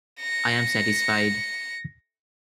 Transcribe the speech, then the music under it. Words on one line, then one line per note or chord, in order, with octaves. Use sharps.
I am satisfied.
A#6 C#7